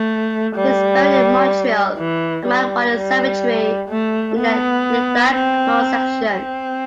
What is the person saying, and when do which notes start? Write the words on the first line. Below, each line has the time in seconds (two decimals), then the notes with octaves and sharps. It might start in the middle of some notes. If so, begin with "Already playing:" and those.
He is buried in Montreal, at Mount Royal Cemetery in the Lilac Knoll section.
Already playing: A3
0.56 G3
1.98 E3
2.46 G3
2.94 G3
3.89 A3
4.38 B3
5.33 C4
6.29 C4